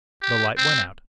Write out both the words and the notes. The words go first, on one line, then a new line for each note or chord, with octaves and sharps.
The light went out.
G4
C4